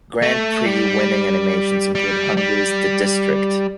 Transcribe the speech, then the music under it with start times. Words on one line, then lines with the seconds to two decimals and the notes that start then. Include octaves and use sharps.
Grand prix winning animations include Hungary's The District!
0.22 A3
0.66 G3
1.95 G3
2.37 G3